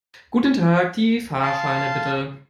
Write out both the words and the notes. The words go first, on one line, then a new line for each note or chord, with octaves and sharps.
Guten Tag, die Fahrscheine bitte.
F5 A5 C6